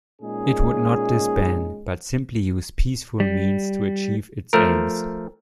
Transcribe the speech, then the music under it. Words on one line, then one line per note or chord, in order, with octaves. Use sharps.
It would not disband, but simply use peaceful means to achieve its aims.
A#2 G#3 C#4 D#4 G#4
G3
F3 A3 A#4